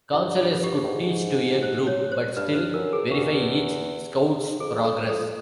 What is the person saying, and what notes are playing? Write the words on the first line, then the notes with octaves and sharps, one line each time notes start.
Counselors could teach to a group but still verify each Scout's progress.
G2 E4
F4
G4
A2
G#2
C5
C#5
C5
G2 B4
B4
F#2 A#4
G#4
E2 G4
F2 G#4
A4
F2
A4